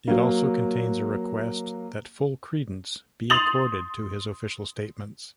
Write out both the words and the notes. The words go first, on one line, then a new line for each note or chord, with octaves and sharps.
It also contains a request that full credence be accorded to his official statements.
F#3 A#3
C6 D#6 A6 F7 F#7